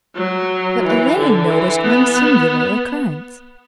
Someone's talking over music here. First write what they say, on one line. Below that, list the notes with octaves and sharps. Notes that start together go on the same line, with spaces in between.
But Elaine noticed one singular occurrence.
F#3
E3
D3
E3
B3